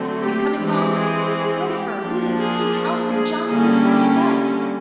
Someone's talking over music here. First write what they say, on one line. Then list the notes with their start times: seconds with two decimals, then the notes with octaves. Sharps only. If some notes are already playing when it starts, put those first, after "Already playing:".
You coming long? Whisper, who the sooty hell's the johnny in the black duds?
Already playing: D3 F#3 A3 C4
0.20 G4
0.56 E3 G#3 C4
0.93 G#4
1.65 G4
2.01 F3 A#3 D4
2.38 G#4
3.10 G#4
3.47 D3 G3 A#3 C#4
3.82 G4